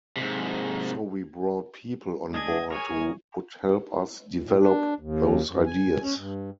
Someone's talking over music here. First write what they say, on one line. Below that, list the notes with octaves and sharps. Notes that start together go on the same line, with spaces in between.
So we brought people on board who would help us develop those ideas.
G#2 C3
G#3 D4 G#4 D#5 G#6
G#4 A#4 C#5 G#5
A2
D4
D#2
F#2
G#5
C#4
G2